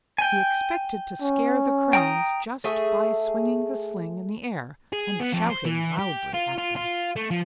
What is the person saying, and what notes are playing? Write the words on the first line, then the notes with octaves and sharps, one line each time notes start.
He expected to scare the Cranes just by swinging the sling in the air, and shouting loudly at them.
G5 G#5
C#4
G5 A#5 D#6
A3 G#4 E5
G#4
B3
F2
C5
E3
G4
F4
F4
F4
A3
F3